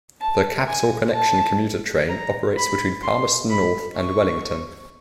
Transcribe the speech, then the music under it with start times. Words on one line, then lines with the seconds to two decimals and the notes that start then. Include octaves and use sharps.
The Capital Connection commuter train operates between Palmerston North and Wellington.
0.21 A5
0.68 G#5
1.15 A5
2.09 A#5
2.57 B5
3.03 C6
3.50 B5
3.97 C#6